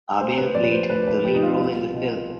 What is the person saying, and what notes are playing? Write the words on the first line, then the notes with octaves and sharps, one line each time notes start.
Aabel played the lead role in the film.
D2 C5
B4
C3 F3 D5
B4
C5
D2 B4
B4
C3 F3 G4
D#4
F4
C2
B2